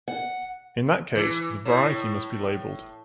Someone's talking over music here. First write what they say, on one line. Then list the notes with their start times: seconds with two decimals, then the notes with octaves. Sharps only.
In that case, the variety must be labelled.
0.08 F#5
1.15 E3
1.65 A2